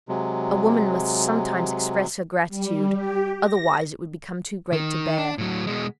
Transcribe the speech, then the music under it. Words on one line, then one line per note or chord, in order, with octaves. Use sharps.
A woman must sometimes express her gratitude; otherwise it becomes too great to bear.
C3 F#3 G#3
G3
G4
A#6
D#3
D4
A2 F#3
B2 G#3